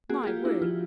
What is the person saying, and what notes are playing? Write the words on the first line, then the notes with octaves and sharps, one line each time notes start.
My word!
A#3 F#4 G#4
G#4
A#3 F4 G4
D4 E4
F3 F4